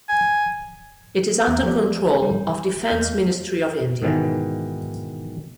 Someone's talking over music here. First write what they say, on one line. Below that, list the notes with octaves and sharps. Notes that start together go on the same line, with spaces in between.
It is under control of Defence Ministry of India.
G#5
E2 A3 E5 A#5 F#6
F3 A3 B3 G4 D5
G3
E2 A#3 D#5 F6 G6
G#2 B2 D#3 E3